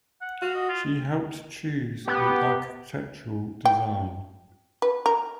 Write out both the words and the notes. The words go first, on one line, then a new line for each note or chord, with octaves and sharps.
She helped choose the architectural design.
F#5
F#4 F5
D#5
F4
B3 G4
G5
B4
A#4